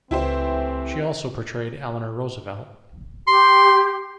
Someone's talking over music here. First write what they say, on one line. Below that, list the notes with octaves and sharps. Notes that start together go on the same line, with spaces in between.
She also portrayed Eleanor Roosevelt.
C#2 E3 A3 C4 E4 G4 C5
G4 C6